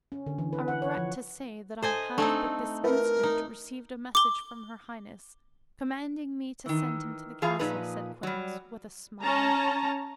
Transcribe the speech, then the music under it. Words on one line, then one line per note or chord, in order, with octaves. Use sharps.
"I regret to say that I have but this instant received a message from her highness, commanding me to send him to the castle," said Quinnox, with a smile.
C#4
D3
E3
B4
F#5
C#5
F3
A4 C5 D#5 G#5 A5
A3 C4 D4 D#4 A4 G#5
E4 A#4 B4 E5
D#4
D6 G7
D#3 E3
E3 F4 G#4 F5 A#5
A#2 F3 D#4 G#4 B4 A#5
F#3 G3
C#4 A5 A#5